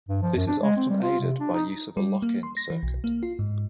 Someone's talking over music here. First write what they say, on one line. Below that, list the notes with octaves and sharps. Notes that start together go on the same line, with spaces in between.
This is often aided by use of a lock-in circuit.
G2
F3
F#2
D4
G#3
C4
G3
F4
C3
D4
D#4
G3
A#3
C6
A#6
E3
B1
A#3
F4
G#2